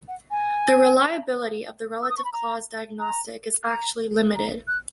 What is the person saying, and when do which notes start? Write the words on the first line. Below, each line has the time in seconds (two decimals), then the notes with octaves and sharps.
The reliability of the relative clause diagnostic is actually limited.
0.08 F#5
0.31 G#5
2.03 E6
2.10 D#6
2.17 C#6
2.25 B5
2.33 A#5
3.00 A#5
3.67 A#5
4.35 A#5
4.68 F#6